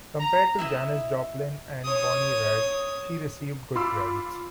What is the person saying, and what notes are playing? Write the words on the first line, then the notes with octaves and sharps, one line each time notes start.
Compared to Janis Joplin and Bonnie Raitt she received good credits.
A#5
E4 D#5 E5
C#5 D#6
F4 B5 C6 D6 E6